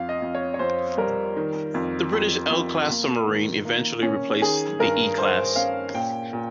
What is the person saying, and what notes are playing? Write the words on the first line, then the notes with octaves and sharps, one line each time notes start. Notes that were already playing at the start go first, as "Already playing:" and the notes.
The British L class submarine eventually replaced the E class.
Already playing: F2 F5
D#5
F2
C#5
C#5
F2 C5
G3 A#4
D#3
F2
F2
F2
A#3
D#3
A#3
C#4
D#3 G#4
G2 A#4
G2 C5
C#4 F5
A#2 G5
A#2